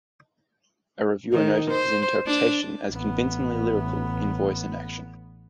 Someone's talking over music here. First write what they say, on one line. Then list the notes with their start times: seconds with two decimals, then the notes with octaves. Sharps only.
A reviewer noted his interpretation as convincingly lyrical in voice and action.
1.33 D#3
1.71 C5
2.27 D4
2.90 A1 B3